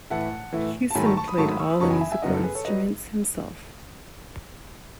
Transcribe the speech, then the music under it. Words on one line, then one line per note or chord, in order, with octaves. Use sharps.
Hewson played all the musical instruments himself.
A2 E3 A3 E4 F#5 A5
A2 E3 A3 E4
A5
G#2 D#3 F#3 A3 G#5 B5
A5 C#6
A5 C#6
B5 D#6
G#2 D#3 F#3 A3 A5 C#6
B5 D#6
C#6 E6
B5 D#6
F#2 C#3 F#3 B3 D#4 A5 C#6
G#5 B5
E5 G#5
E5 G#5
F#2 C#3 F#3 B3 D#4 D#5 F#5
A4
G#4 B4
A4 C#5
F#3 B4 D#5